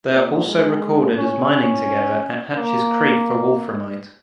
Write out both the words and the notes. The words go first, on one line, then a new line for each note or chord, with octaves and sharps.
They are also recorded as mining together at Hatches Creek for wolframite.
A#2
G#3
C#4
A#3